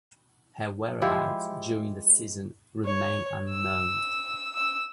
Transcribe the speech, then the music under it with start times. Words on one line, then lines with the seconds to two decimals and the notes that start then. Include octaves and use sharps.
Her whereabouts during the season remain unknown.
1.02 F3 G#3 E4 G4
2.85 C#5
3.51 E6
4.55 E6